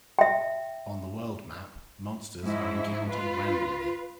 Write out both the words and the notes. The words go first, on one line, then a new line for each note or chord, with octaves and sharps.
On the world map, monsters are encountered randomly.
E5 G5
G#2 F3 E4
F4 B4